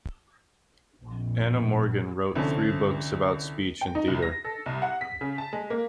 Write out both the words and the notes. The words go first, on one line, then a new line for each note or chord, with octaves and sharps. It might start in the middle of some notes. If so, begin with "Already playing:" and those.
Anna Morgan wrote three books about speech and theatre.
A#1 F2
C2 D3 F3 A3 C#4 A5
G5
D#4
C2
A#6
A4
C2
F#5
B6
C#3
A5
G#3
A#3